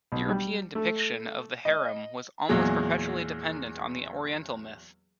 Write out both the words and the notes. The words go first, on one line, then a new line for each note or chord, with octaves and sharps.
European depiction of the harem was almost perpetually dependent on the Oriental myth.
B1
G3
A3
D#5
E2 A#2 F#3 G#3